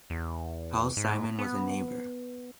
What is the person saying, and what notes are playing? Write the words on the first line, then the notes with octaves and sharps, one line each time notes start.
Paul Simon was a neighbor.
E2
G#2
B3